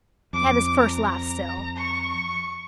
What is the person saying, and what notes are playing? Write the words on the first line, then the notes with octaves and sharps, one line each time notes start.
He had his first laugh still.
F2 D6
A#5
C#6